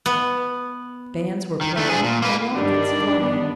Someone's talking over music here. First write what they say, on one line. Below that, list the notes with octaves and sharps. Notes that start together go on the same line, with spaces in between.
Bands were playing and rockets flying.
B3
D#3
A3 D4
D4 G#4
A#2
A#3 B4
G2 D#3 G3 D4 D5
B3